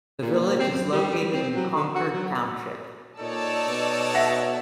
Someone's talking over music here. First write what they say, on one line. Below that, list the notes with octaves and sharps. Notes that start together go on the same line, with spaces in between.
The village is located in Concord Township.
A#2
C4
F#2
G3
C4
F#3
D3
F#4
F#3
A#2 D#4 A4 C#5 D5 A5 E6
B2
E5 F#5 A#6